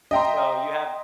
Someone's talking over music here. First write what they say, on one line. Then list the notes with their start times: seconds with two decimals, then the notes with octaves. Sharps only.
so, you have
0.11 D#5 E5 G5 A#5 C6